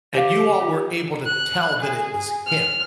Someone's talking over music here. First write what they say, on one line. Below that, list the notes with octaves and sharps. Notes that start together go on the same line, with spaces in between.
And you all were able to tell that it was him.
G4 C#5 F5
C#4 E4 F4
F#6
G#4
F6